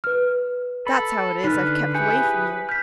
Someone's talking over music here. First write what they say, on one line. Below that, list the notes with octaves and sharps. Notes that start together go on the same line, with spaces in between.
That's how it is I've kept away from you.
B4 F6
A4 B5
D3 D#4 B4 F6
E4 G4 G#4 G#5 G6 C#7
F6 G6 B6